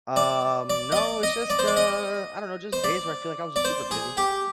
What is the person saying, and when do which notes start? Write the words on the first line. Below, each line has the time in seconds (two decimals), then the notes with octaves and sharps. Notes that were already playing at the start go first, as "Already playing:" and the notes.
Um, no it's just uh, I don't know, just days where I feel like I was just super busy.
0.16 D5
0.70 D5
0.92 D#5
0.96 D5
1.23 D#5
1.50 D5
1.59 C5
1.68 D5
1.77 D#5
2.73 C5
2.84 D5
3.56 D5
3.65 C5
3.91 G#4
4.17 G4